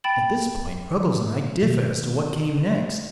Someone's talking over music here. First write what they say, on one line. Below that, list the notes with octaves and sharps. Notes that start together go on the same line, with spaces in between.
At this point Ruggles and I differ as to what came next.
G5 B5 A6 D7 E7 F#7
B2 D#3 F3 F#3